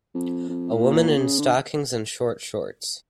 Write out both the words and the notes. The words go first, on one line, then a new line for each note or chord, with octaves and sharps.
A woman in stockings and short shorts.
F2
F2
A2
A#2
A#2
C#3
D3